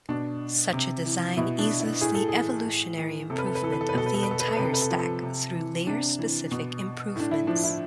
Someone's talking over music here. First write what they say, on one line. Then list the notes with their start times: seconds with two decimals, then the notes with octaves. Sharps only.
Such a design eases the evolutionary improvement of the entire stack through layer-specific improvements.
0.09 B2 D4
0.73 C3
1.05 E3
1.37 B2 E4
1.59 D4
1.80 E4
2.01 A2 G#4
2.15 A4
2.28 G#4
2.34 E3
2.66 A2
2.98 E3
3.30 C3 A4
3.38 B4
3.47 A4
3.55 B4
3.62 E3 A4
3.72 B4
3.81 A4
3.89 B4
3.94 B2 A4
4.06 B4
4.14 A4
4.23 B4
4.31 A4
4.40 B4
4.48 A4
4.57 C3 B4
4.65 A4
4.74 B4
4.82 A4
4.90 F3 B4
4.99 A4
5.23 C3
5.55 E3
5.87 C3 D4
6.19 E3
6.51 B2
7.16 A2 D4
7.31 E4
7.47 F3 D4
7.63 E4